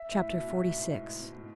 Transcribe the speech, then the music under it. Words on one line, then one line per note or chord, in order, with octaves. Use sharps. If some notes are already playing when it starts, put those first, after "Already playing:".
Chapter XLVI.
Already playing: E5
A2
B2
B2
G#2
G#2
B2
A2